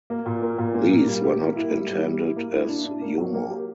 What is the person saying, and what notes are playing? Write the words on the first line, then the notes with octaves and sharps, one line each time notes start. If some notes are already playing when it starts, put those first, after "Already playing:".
These were not intended as humour.
A#3
A#2
A#3
A#2
A#3
A#3
G3
G4
A#3
E4
G3
G3
G3
E4
A#3
E4
D4
D4
A#3
F#3
A#3
G4